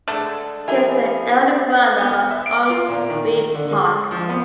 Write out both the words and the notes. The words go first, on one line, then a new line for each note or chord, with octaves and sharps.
He is the elder brother of Ong Ewe Hock.
D3 G#3 A3 D4 A4
E3 F3 A#3 E4 G4 D#5 G#5 B5
B3
E5
D7
F4
A#2
D#3
D#3
D3
G#3
F3
B3